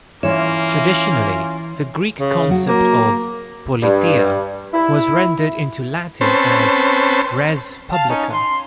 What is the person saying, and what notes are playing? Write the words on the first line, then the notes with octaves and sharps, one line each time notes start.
Traditionally, the Greek concept of "politeia" was rendered into Latin as res publica.
E3 A#3 C#4 F4 C#5 E5
C#3
F#3 F#4
A#3
G2
E4
C4 C#4 B4 C5 A5
F5 A5
C#4 D#4
C6